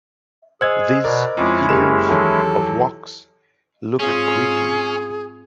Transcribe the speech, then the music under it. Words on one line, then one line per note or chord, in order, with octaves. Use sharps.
These figures of wax look creepy.
G#4 C5 D#5 E6 G#6
B2 A#4 D5
F2 G#3 C#4 E4 D6
F#1 G4 G#4 A#4 F6 E7
E2 D#3 F#3 A4
G#2 C4 C#4 F4 G#4